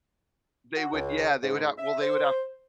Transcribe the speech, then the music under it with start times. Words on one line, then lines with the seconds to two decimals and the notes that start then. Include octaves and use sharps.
They would yeah, they would have well, they would have
0.77 F#4
0.93 C#2
1.43 G#2
1.78 E5
2.02 C5